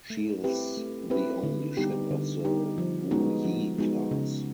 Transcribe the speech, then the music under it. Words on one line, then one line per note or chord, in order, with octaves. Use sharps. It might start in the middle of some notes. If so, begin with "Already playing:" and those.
She is the only ship of the "Wu Yi" class.
A3
C4 E4 G4 B4
A3
C4 E4 G4 B4
D3
G3 B3 D#4 G4
D3
G3 B3 D#4 G4
F3
G#3 B3 D#4 F#4
F3
G#3 B3 D#4 F#4
C#3